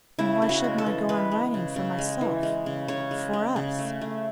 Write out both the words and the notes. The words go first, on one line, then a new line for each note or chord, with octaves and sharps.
And why shouldn't I go on writing for myself--for us?
C#3 E4
C#3
F#4
G#3
A4
E3
G#3 B4
G#3
C#3
C#3
G#3
E3
G#3
C#3
C#3 C#5
G#3
G#3
C#3
A3
A3